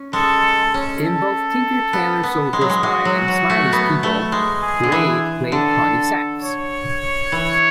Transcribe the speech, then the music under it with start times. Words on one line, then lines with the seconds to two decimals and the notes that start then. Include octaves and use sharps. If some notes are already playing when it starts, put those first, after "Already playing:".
In both "Tinker Tailor Soldier Spy" and "Smiley's People" Reid played Connie Sachs.
Already playing: C#4
0.13 G#3 A4
0.74 C#4
1.03 A4
1.93 B3
2.23 B3
2.53 G#3
2.61 F#3
2.70 G#3
2.83 G#3 F#4
3.05 F#3
3.28 F#3
3.50 A3
3.73 B3
4.03 A3
4.32 G#3
4.62 G#4
4.83 D3
4.92 E3
5.51 D3 A4
6.42 C#5
7.32 E3